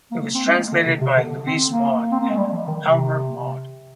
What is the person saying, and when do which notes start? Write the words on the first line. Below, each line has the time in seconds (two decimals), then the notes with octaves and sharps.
It was translated by Louise Maude and Aylmer Maude.
0.11 A#3
0.34 C4
0.46 G#3
0.57 A#3
0.72 D3
0.86 C3
1.01 C3
1.17 D3
1.46 C4
1.70 A#3
2.12 C4
2.20 A#3
2.29 G#3
2.37 G3
2.52 F3
2.67 D#3
2.82 C3